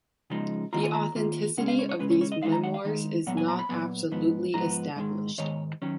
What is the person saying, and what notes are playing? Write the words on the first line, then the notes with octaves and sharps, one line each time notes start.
The authenticity of these memoirs is not absolutely established.
C#3 F3 G#3 D#4
D#3 A#3 F4 A#5
G#5
A#5
D#3 A#3 F4
C#3 G#3 C#4 F#5
F5
C#5
C#5
C#3 G#3 C#4 B4
C#5
C#5
D#5
D#3 G#3 D#4 F5
A#5
F#5
F5
D#3 G#3 D#4
A#2 F#3 B3 F#5
G#5
A#5
B5
A#2 F#3 B3
G#2 F3 B3
G#2 F3 B3 A#5
G#2 D#3 G#3
G#2 D#3 G#3 C#5
D#3 F#3 C#4